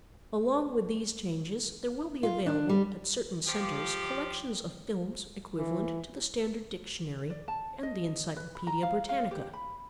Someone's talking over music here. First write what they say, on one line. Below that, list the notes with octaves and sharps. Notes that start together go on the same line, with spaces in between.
Along with these changes, there will be available at certain centres collections of films equivalent to the Standard Dictionary and the Encyclopaedia Britannica.
F4
D4
G3
F3 G4
E3
D5
A5
D#5
B4
B5
A#5
F5
F5
G4
B5